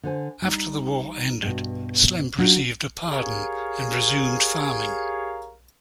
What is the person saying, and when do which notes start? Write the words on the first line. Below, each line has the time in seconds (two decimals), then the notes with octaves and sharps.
After the war ended, Slemp received a pardon, and resumed farming.
0.03 D3 C5 G#5
0.42 G3 D#4
1.42 G2 B2
2.38 F#3 C#4 D4 F4
3.06 G4 G#4 A#4 C#5 F5